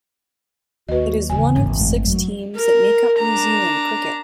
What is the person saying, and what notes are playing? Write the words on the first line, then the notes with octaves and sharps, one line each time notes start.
It is one of six teams that make up New Zealand Cricket.
D#2 F#4 B4 D#5
G2 C#3 E3 G#5
G#1 F#2
F2 G#3 A3
F#3
A#4
D4 A#5